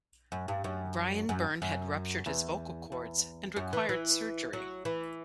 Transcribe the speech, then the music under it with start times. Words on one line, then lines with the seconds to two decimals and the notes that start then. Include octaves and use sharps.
Brian Byrne had ruptured his vocal cords and required surgery.
0.32 F#2
0.48 G2
0.64 F#2
1.29 F#2
1.62 F#2
2.26 E2
2.92 E2
3.56 F#2
3.73 E3
3.89 E3
4.53 F#3
4.85 E3